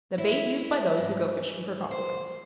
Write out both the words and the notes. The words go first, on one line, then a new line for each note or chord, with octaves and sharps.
The bait used by those who go fishing for compliments.
E4
G#2
C5